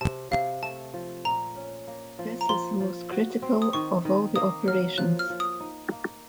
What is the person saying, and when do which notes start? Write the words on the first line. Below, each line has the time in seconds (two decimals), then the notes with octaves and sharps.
This is the most critical of all the operations.
0.01 C3 A5
0.31 C3 F5
0.63 A3 A5
0.94 F3
1.25 A#2 A#5
1.56 C#4
1.87 A#3
2.19 F3
2.41 A#5
2.49 F3 C6
2.80 F3
3.12 F#4
3.42 C4
3.62 D#6
3.73 D#3 C#6
4.05 D#3
4.36 A#3 D#6
4.68 F#3 F6
4.98 F3 F#6
5.19 F6
5.30 F3
5.40 D#6
5.60 D#4
5.92 A#3